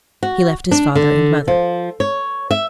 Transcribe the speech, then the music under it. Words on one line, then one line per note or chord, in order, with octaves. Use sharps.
He left his father and mother.
F#4
D4
D3
F3
C#5
E5